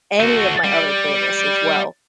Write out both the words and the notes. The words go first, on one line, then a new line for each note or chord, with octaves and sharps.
any of my other playlists as well,
A3 F#4
G3